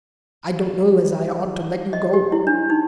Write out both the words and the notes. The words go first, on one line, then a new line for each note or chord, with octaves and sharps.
"I don't know as I ought to let you go."
D#5
G4
E4
D4
D#4